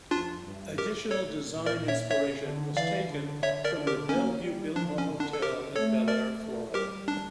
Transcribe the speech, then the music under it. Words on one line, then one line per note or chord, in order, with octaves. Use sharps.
Additional design inspiration was taken from the Belleview-Biltmore Hotel in Belleair, Florida.
F2 D4 F4
G2
A2 G4 A#4
A4 C#5
A#2
A#4 D5
A#2
C#5 E5
C#3 C#5 E5
D3
E3 D5 F5
D3
D3 C#5 E5
A#4 D5
D3
G4 A#4
A#3 C#4
G3
F3 D4
C#4
D3
D4
A4
D3 G4 A#4
A3 A4 C#5
A#4 D5
A3
G3 G4 A#4
D4